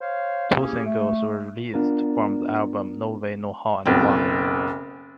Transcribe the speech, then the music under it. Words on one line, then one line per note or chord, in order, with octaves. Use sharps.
Two singles were released from the album: "No Way No How" and "Why".
C5 C#5 F5
A#3 C#4 E4 G4 G#4
A3
B3 D4 F4 A#4
F#1 B1 C4